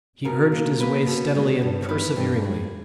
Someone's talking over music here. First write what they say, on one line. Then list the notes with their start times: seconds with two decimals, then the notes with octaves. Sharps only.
He urged his way steadily and perseveringly.
0.25 B2 A#4
0.52 A#3
0.80 A#3 B4
1.06 B2
1.35 G#3
1.62 G2
1.82 C#5
1.89 E3 B4
2.16 G2
2.44 G#3